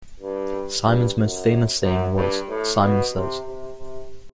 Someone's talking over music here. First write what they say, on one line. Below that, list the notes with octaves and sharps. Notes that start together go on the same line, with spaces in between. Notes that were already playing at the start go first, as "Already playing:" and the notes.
Simon's most famous saying was, Simon says!
G2
G2
F#2
F#2
G2
A2
B2
C3
C3
C3